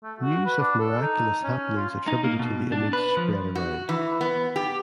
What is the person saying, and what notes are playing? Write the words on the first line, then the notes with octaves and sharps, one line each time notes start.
News of miraculous happenings attributed to the image spread around.
A3
F#4
B4
D4
A4
D#4
C#4
F4
D#4
A#3
B2
D4
B4
F3
F#4
E3
B3
G4